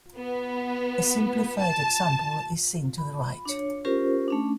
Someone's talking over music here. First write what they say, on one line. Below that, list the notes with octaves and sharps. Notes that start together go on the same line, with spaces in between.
A simplified example is seen to the right.
B3
A5
B5
D4 C#5
C#4 F4 G4 A#4 C5
A3 C#4 D4